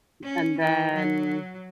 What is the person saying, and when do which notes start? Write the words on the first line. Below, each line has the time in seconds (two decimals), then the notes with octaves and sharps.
and then,
0.24 C#4
0.59 E3
0.94 F#3